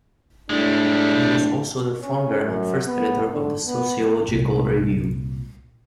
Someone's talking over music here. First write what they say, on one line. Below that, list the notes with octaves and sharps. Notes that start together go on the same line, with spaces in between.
He was also the founder and first editor of "The Sociological Review".
A2 G3 G#3 D4
C#4
F#2
B3
D3
B3
C2 A#2